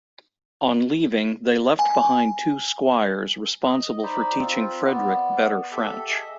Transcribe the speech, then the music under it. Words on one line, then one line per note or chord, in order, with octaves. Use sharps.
On leaving, they left behind two squires responsible for teaching Frederick better French.
G#5
D#5
D#4 C5 D5 B5
C4 F4
B3 D5
G4 A4 E5
G#4 D#5 E5